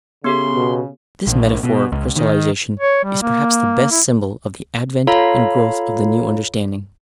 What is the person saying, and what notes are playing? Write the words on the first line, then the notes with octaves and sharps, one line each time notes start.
This metaphor of crystallisation is perhaps the best symbol of the advent and growth of the new understanding.
C#3 B3 G4 A4 C6
B2
A#1
B2
C#2
D#3
C#5
G3
A#3
E4
F4 A4 C#5 F5 A#5 B5